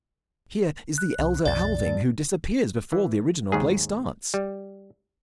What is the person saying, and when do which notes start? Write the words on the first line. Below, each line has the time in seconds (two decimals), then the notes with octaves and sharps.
Here is the elder Alving, who disappears before the original play starts.
0.98 F#6
1.19 C2
1.45 B1 F2 D5 A6
1.86 G2
2.92 E3
3.52 D#2 G#2 G#4
4.34 G3